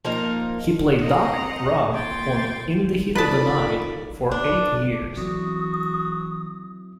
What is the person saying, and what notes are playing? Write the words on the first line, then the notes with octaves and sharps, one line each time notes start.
He played "Doc" Robb on "In the Heat of the Night" for eight years.
F3 A#3 D#4 A#4
C4 D#5 F#5 A#5
A#2 G5 C6 G#6 A6
D#3 E4 F4 A4 B4 D5 A5 B5
D4
E3 F#3 C4 E4 F#4 D#6